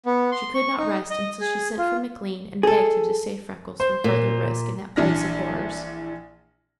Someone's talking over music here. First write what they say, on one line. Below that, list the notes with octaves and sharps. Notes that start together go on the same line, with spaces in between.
She could not rest until she sent for McLean and begged him to save Freckles from further risk, in that place of horrors.
B3
C6
C#6
D#4
D#5
G#4
F4
G#4 A4
C5
A#2
A#1 E3 D4 F6 A#6